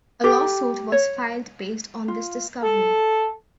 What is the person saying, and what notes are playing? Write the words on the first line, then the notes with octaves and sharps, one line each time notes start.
A lawsuit was filed based on this discovery.
G4 A4
C#5
F4
A4